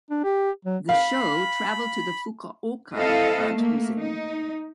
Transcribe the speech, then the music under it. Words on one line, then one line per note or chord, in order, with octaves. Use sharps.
The show traveled to the Fukuoka Art Museum.
D4
G4
F#3
F5 B5
C4 E4 A4 D#5 F5
A3 A#3
D#4